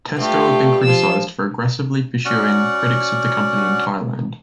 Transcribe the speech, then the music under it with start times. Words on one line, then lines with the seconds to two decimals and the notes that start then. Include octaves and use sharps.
Tesco have been criticized for aggressively pursuing critics of the company in Thailand.
0.16 G2 A3 F4 G4
0.82 F3 F4 E6
2.25 C#4 F#4 D5 F#5 C#6